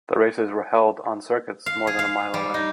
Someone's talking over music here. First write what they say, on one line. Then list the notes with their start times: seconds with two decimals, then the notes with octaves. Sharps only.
The races were held on circuits more than a mile away.
1.66 F5
1.87 G#4
1.99 F5
2.34 G3
2.54 D#4